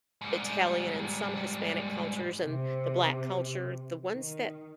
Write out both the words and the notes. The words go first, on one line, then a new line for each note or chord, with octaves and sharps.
Italian and some Hispanic cultures and the Black culture, the ones that
G#2 G3
C3
D#3